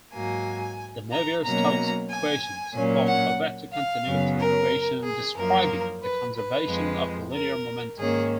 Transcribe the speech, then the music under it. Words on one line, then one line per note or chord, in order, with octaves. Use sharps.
The Navier-Stokes equations form a vector continuity equation describing the conservation of linear momentum.
G#2 F#3 A#3 G#5
A#5
B2 F#3 A#3 C#4 A#5
G#5
A#2 F#3 A#3 C#4
F#5
F5
F#2 C#3 F#3 B3
A#4
G#4
F#2 F3 A#3 A#4
B4
B4
F2 F3 G#3
A#4
G#2 D#3 A#3 C#4 G#4